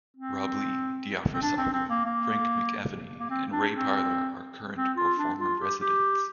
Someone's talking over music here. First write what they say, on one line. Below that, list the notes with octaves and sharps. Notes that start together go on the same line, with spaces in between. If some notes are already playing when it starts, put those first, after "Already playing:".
Rob Lee, Diafra Sakho, Frank McAvenie and Ray Parlour are current or former residents.
C4
C4
D4
C4
C4
A#3
A#3
A#3
C4
D4
C4
C4
F4
D4
F4
G4
G4